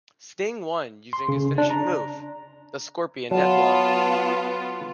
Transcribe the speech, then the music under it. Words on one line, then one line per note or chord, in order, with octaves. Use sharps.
Sting won using his finishing move, the Scorpion Deathlock.
C6
C#3
D4
A#5
F#3 B3 F4 A5